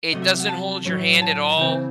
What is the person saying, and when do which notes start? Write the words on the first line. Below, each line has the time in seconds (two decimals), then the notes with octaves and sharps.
It doesn't hold your hand at all.
0.12 C3 F#3 A3 D#5
0.22 E5
0.40 F#5
0.49 A5
0.85 A2 F#3 C#4
1.22 A5
1.57 C#3 E3 C4